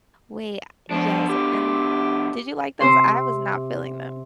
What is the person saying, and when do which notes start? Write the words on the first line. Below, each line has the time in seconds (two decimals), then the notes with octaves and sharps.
Wait, uh, yes, uh, and did you like those? I was not feeling them.
0.91 B2 F3 D4
1.29 G4
2.80 C3 C5 C6